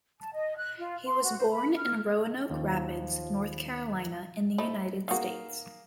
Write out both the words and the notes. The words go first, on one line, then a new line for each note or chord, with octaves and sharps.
He was born in Roanoke Rapids, North Carolina in the United States.
A5
D#5
F#6
F4
C6
F#4
C5
B5
F6
D#2 F3
A3 D#4 C5 D#5 B5
A#3 D#4 F#4 G#4 F5